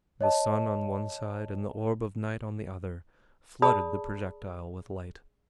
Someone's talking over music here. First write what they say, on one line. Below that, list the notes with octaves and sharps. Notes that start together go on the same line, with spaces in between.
The sun on one side, and the orb of night on the other, flooded the projectile with light.
C#5 D#5 A5
G#4 D5 A5 B5 D#6